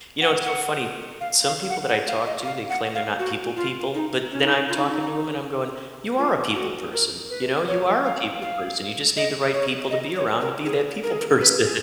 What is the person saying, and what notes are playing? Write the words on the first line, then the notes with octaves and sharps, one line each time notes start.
you know, it's so funny. Some people that I talk to, they claim they're not people people, but then I'm talking to 'em and I'm going, "You are a people person. You know, you are a people person. You just need the right people to be around to be that people person.
F#5
F#5
F5
F5
F#5
F#5
F5
D#5
F5
F#5
F5
F#4
F4
D#4
C#4
D#4
C#4
F4
D#4
C#4
D#4
F4
F#4
A#4
B4
C#5
F5
F5
D#5
C#5
D#5
C#5
A#4
G#4
A#4
G#4
A#4
B4
G#4